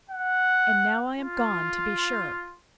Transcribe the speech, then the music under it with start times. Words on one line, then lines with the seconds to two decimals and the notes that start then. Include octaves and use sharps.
And now I am gone, to be sure!
0.10 F#5
1.19 F4